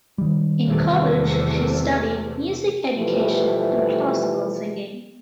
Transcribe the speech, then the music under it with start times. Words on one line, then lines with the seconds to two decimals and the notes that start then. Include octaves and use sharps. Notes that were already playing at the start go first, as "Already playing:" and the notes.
In college, she studied music education and classical singing.
0.18 D#3 G3
0.67 E2 C3 A3
2.96 B2 E3 F3 G3 A3